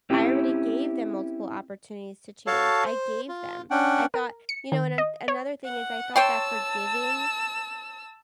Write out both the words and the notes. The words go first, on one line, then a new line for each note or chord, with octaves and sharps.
I already gave them multiple opportunities to change. I gave them. I thought you know, and an another thing is I thought that forgiving
C4 C#4 E4 G4
F#4 A4 C#5 F5 A5 C#6
C5
F4
C#4 D4 F#5 G5
A#4
C#7
D#3
D#5
C#5
F#5
C#5 G5 A5 C6 E6